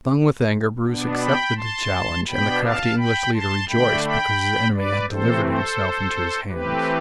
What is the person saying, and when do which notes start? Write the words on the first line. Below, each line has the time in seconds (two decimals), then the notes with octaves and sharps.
Stung with anger, Bruce accepted the challenge and the crafty English leader rejoiced because his enemy had delivered himself into his hands.
0.86 B2 B3 D4
1.22 G5 B5
1.57 A5 C6
2.27 B2 B3 D4 G5 B5
2.63 F5 A5
2.97 G5 B5
3.33 A5 C6
3.68 D3 A3 D4 G5 B5
4.04 G5 B5
4.74 B4 D5
5.09 C3 E3 A3 C4 A4 C5
5.45 A4 C5
6.50 E3 A3 C4 G4 B4